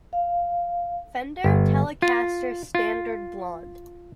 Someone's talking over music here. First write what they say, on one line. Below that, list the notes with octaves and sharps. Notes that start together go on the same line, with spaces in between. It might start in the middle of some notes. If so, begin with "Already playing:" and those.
Fender Telecaster Standard Blonde.
F5
G1
F4
F4